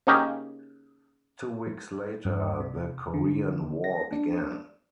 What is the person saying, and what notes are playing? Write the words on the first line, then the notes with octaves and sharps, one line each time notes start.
Two weeks later the Korean War began.
C#3 A#3 C#4 D#4 G4
G2
C3
D3
A#6
D4